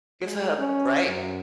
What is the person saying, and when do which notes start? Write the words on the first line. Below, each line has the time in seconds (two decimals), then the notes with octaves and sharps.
Give her a break!
0.24 G#3
0.58 C#4
1.06 F#2